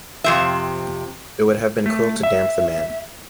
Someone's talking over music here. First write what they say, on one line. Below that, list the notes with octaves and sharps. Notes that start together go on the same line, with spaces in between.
It would have been cruel to damp the man.
F2 C3 E5
A3
E5